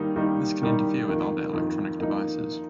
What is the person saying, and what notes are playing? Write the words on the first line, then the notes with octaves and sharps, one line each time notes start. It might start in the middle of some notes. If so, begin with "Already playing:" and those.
This can interfere with other electronic devices.
Already playing: D#3 G3 A#3 D#4
D#3 G3 A#3 D#4
D#3 G3 A#3 D#4
F2 D#3 A#3 D#4
F2 D#3 A#3 D#4
F2 D#3 A#3 D#4